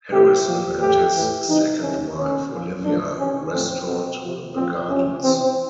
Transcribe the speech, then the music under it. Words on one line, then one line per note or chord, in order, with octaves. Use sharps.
Harrison and his second wife Olivia restored the gardens.
C3 E3 G4
A#2 F3
A2 E3 G4
A2 E3
C3 E3 D#4
C3 D#3 C#4
B2 C#4
A#2 F3
A2 F3 D4
C3 E3 C#4
A2 F3 C4
B2 C4
C3 F3
A#2 F3 C4
C3 F3 C#4
C3 E3 C4